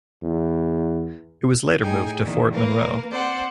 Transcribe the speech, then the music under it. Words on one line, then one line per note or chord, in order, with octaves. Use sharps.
It was later moved to Fort Monroe.
E2
A2 D#4 G#4 G5 G#5
E2 A#2 D#3
A#3 A#4 B4 F5
C4 C5 D5 F#5